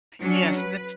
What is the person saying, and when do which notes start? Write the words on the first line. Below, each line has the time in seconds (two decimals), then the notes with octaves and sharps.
Yes, and that's
0.20 F#3 C#4 D4
0.55 B4